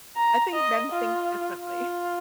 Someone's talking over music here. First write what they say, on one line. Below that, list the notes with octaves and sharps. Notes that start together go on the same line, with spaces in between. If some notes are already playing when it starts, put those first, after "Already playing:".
I I think men think differently.
A#5
D#5
F4
F4